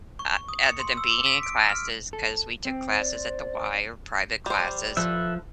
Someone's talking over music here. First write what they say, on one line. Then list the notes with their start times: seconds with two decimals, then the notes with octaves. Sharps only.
O other than being in classes, 'cause we took classes at the Y or private classes
0.19 C#6
0.35 C#6
0.49 D#6
0.62 C#7
0.80 C6
0.97 E6
1.11 D6
1.26 B6
1.43 D7
1.70 F6
2.13 A4
2.65 C4 C5 G5
2.98 D5
4.46 G3 C5
4.97 F3 A4 B4 E5